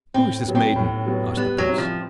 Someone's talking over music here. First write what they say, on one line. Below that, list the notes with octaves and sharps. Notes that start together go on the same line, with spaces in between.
"Who is this maiden?" asked the prince.
A2 C4
F#3 B3
C4
A2
F#3 B3
G3 B3
F#3
C4 E4
F3